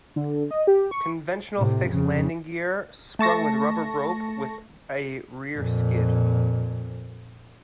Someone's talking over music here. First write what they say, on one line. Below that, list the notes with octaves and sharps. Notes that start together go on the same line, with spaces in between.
Conventional fixed landing gear, sprung with a rubber rope, with a rear skid.
D3
D#5
G4
C#6
A2 C3
F2 C#3
A3 A5 C#6 A#6
F2 A#2